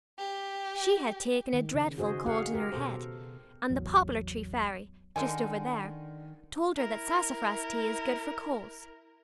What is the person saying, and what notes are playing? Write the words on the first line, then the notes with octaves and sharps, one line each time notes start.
She had taken a dreadful cold in her head, and the poplar-tree fairy, just over there, told her that sassafras tea is good for colds.
G4
D#3
C#3
F#4 G#4 C5 D#5
F#4 G#4 F5 F#5
G4 A#4
B2 A4 C5
A1 E2 F#3
D3 D#3 G#3 G#5
E4 A#4